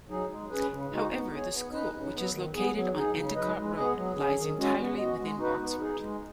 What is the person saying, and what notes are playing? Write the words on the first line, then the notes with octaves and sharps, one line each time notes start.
However, the school, which is located on Endicott Road, lies entirely within Boxford.
F#3 D#4 G#4
G#3
C#4 G#4 B4
C#3
G#3 D#4 F#4
B3
G#4 C#5
B3
D#4 B4 D#5
C#3
F#3 B3
D#3
B3 G#4
F#3
D#4 G#4
C#3
F#3 D#4 B4 D#5
G#3
B3 G#4 D#5
F#3
C#4 G#4
D#3
G#3 C#4 F#4 D#5
B3
F#4 D#5
G#3
D#4 F#4 B4
B3
D#4 G#4
G#3